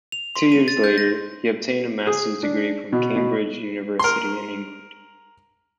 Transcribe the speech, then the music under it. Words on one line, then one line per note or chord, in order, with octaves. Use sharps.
Two years later, he obtained a Master's degree from Cambridge University in England.
F7
C6
D#7
A6
G6
A#6
G#4
D4
B2
B2
A#4 C6